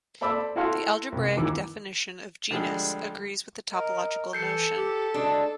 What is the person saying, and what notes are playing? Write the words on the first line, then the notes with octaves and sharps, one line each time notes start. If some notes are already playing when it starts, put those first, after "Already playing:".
The algebraic definition of genus agrees with the topological notion.
A4 C5 D5 B5 D6 E6
E4 F#4 A4 F5 F#5 C6
C2
D#2 E3 D6
D3 F3 G3 G#3
A#4 D#5
E3 A4 G6 C7 C#7
G4
G#3 D4 F#4